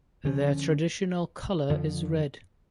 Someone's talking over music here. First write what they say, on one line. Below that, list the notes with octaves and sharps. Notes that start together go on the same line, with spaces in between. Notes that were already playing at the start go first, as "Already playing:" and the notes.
Their traditional colour is red.
D2 D3 F3 C#4
F2 D3 F3